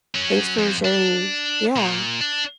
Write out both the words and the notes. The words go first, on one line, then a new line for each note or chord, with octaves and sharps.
thanks for sharing Yeah,
F#3 C#4
F2
D4
A#2
D4